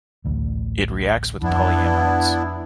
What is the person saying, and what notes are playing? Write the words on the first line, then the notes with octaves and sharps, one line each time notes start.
It reacts with polyamides.
A1 D2
F2 B3 D4 E4